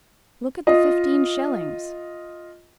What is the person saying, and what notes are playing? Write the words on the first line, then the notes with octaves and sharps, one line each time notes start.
Look at the fifteen shillings!
F4 D#5